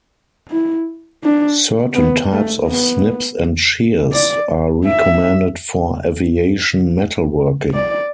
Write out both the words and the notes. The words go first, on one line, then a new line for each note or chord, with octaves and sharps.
Certain types of snips and shears are recommended for aviation metalworking.
E4
D4
B3
A3
B3
D5
E5
D5